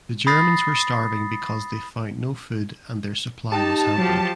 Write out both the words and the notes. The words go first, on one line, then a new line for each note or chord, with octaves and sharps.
The Germans were starving because they found no food and their supply was hampered.
B5 D#6 A6 A#6 C7
D#4 G4 A5
F3 F#3 G4